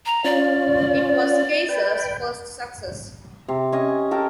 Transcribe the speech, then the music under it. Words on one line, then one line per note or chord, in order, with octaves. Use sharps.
It was Kaiser's first success.
A#5
C#4 F4 D5
B4 G5
C3
C#4 D#5 G#5
A4 A#4 G5